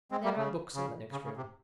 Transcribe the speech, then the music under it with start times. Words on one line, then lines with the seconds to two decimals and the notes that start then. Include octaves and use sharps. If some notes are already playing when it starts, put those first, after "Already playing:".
There are books in the next room.
0.11 G#3 C4
0.24 G3 A#3
0.37 C#3
0.75 C#3
1.12 C#3
1.25 C#3
1.37 C3